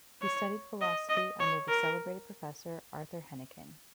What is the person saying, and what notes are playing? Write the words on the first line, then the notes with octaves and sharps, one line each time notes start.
He studied philosophy under the celebrated Professor Arthur Hennequin.
C#5
D#5
D#5
C#5
A#4